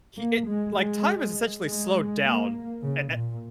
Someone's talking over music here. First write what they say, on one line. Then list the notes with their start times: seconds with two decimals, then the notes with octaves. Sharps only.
he it like, time is essentially slowed down and
0.16 A#3
0.46 G#3
0.75 G#3
1.64 G#3
2.23 A#3
2.82 C#3
3.12 A#2